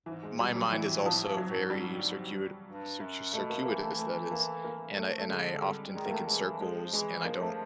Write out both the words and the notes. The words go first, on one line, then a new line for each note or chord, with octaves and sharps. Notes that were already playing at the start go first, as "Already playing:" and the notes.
my mind is also very circuit cir circuitous that is, and I and I often think in circles, and I don't,
G#2 E3
G#3
A#2 G3
F#3
A2 E3
F3
G#2 F#3
A2
G#2
G3
G2
F#2
B2 A3
A#3
E3 A#3
A3
A3
A#3
A#3
A3
A3
D3 G#3
G#3
G3
D#3 G#3
A#3
A3
E3 G#3
F3 G#3
E3 G#3
F3 A#3
A3